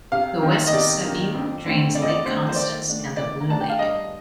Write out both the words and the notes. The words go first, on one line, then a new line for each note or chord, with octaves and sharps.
The West Sabine drains Lake Constance and the Blue Lake.
C3 F5
D#3 A#3 D#4
D#5
C3 D5
D#3 A#3 D#4
F2
D3 A3 C4
F2 D5
D#5
D5
D3 A3 C4 C5
C5
D#3 D5
A3 D4
D#3 D5
A#5
A3 D4 A5
G5
F5
G2 D#5